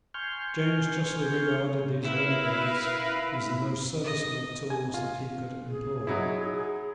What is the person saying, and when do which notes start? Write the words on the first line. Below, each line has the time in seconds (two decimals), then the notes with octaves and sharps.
James justly regarded these renegades as the most serviceable tools that he could employ.
0.14 G#5 C6 C#6 F6 G6
2.05 E4 A#4 B4 F5
4.04 D#5
4.70 G#5
4.94 F4
5.69 G#4
6.07 F#3 D#4 E4